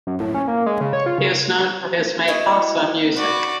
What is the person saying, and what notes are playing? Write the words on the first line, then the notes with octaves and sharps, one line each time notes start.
He is known for his makossa music.
F#2
A2
C#4
A#3
G#3
C#3
C#5
F4
C#3
E4 F#4 D#5
F#4 B4 D5